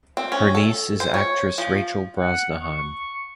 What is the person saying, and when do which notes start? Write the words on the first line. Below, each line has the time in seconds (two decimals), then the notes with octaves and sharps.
Her niece is actress Rachel Brosnahan.
0.17 C4
0.32 C#4
0.55 A4
1.00 C5
1.14 C#5
1.58 F3
2.18 F#5
2.63 C#6